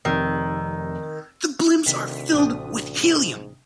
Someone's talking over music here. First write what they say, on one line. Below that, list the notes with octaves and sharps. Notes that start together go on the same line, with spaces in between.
The blimps are filled with helium.
F1 C3 D#3 E6
D2 C3 D#3 B6
A1 C4 D4 D#6
G#2